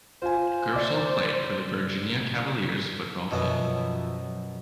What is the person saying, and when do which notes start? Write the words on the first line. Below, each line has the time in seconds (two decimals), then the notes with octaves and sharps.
Gerstle played for the Virginia Cavaliers football team.
0.22 F4 C5 G#5
0.73 D5 D6
3.31 F#2 B2 F3 F#3 B3 E5